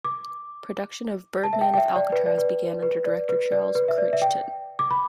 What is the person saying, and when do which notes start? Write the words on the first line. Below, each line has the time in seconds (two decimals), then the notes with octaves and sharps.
Production of "Birdman of Alcatraz" began under director Charles Crichton.
0.04 D6
1.44 A5
1.53 E5
1.61 G5
1.74 G5
1.78 E5
1.96 D5
2.12 B4
2.26 D5
2.38 B4
2.82 B4
3.06 D5
3.29 B4
3.52 D5
3.75 B4
3.88 E5
3.98 D5
4.13 E5
4.22 G5
4.79 D6
4.91 B5